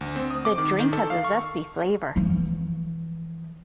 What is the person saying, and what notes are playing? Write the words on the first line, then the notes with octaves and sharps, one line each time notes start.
The drink has a zesty flavour.
D2
C4
D#6
D6
D#3
D#3
A4
F5
C#6
E3 F3